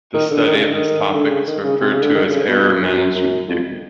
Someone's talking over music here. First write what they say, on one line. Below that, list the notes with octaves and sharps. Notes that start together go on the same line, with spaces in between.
The study of this topic is referred to as "Error Management Theory".
D#3
D3
D#3
C#3
D3
D#3
D3
C#3
D#3
C#3
C3
C#3
D3
D#3
D3
C#3
B2
B2
F#2
F#2
F#2
F#2
F2